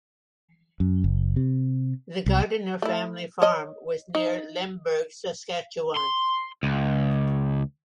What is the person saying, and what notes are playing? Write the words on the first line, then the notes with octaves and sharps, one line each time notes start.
The Gardiner family farm was near Lemberg, Saskatchewan.
F#2
F#1
C3
C2
A3 E4
C#5 D#5
D#4
C6
C#2